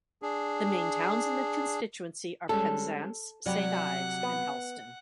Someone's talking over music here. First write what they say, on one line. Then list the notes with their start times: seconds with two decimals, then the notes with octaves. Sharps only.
The main towns in the constituency are Penzance, Saint Ives and Helston.
0.22 D4 G#4
2.49 G3 G#3 C#4 A4
3.46 C3 F#3 G3 F#5
4.23 B3